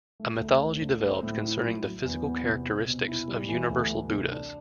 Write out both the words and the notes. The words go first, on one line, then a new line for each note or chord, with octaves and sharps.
A mythology developed concerning the physical characteristics of Universal Buddhas.
A3
D2
C4
D3
C4
A2
E4
F#3
F#3
E2
B3
C3
C4
B2
E4
G3
E3
D2
A3
C3
D4